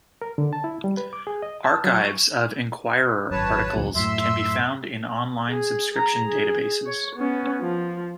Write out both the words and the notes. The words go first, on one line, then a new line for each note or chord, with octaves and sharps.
Archives of "Enquirer" articles can be found in online subscription databases.
A#4
D3
A5
E4
G3
B4
D6
G#4
D#5
A5
F#3
C#6
G#1 F#2 B4 C#5 A5
D2 A#2 F#3
F#2 A2 E5 C6 E6
G#4
G#4 A#5
G#4
C#5
B3 C#4
F3